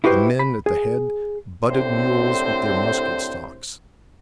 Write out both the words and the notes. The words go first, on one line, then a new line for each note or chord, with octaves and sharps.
The men at the head butted mules with their musket stocks.
E4 F#4 G4 B4 C5 D#5
B5
G#4
C2 A2 D3 C4 C5